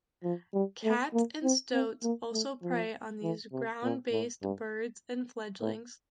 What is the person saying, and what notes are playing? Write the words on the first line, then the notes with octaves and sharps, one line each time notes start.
Cats and stoats also prey on these ground-based birds and fledglings.
F3
G3
A3
A#3
C4
C4
A#3
A3
F3
E3
C3
A#2
A2
G2
A2